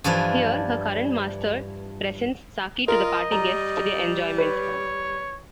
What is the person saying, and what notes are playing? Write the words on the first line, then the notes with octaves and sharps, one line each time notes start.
Here, her current master presents Saki to the party guests for their enjoyment.
G2 E3 F3 D4
F4 A#4 D#5
G3 A#5
B4 C#5